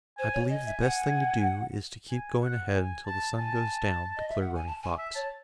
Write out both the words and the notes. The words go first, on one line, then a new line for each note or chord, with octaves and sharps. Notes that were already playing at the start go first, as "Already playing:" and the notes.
"I believe the best thing to do is to keep going ahead until the sun goes down," declared Running Fox.
C5 G#5
C#5
D#5 G#5
E5
F#5
G#5
F#5
G#5
A5
G#5 A5
D#5
E5
F#5
G#5
A5
G#5
E5
C#5 A5